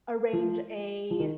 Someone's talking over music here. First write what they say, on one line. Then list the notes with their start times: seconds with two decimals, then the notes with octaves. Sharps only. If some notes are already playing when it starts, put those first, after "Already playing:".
arrange a,
0.33 F3
1.11 F3
1.20 D#3